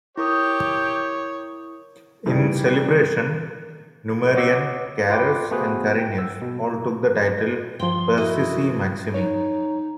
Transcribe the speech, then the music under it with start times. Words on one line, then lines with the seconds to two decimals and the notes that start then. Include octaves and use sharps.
In celebration, Numerian, Carus, and Carinus all took the title "Persici maximi".
0.17 E4 G4 A#4 C#5 D#6
2.26 G2 D#3 E3 G3 A3
4.34 C#5 D#5 F#5 D6 E6
5.09 F4 B4 G5 D6
5.51 A3 B3 F#4 G#4 B4 C5
5.98 G5
6.18 E6
6.42 B2
7.80 G2 F3 G5 C6
8.17 E4 F#4 D#5
9.14 D#4 C#5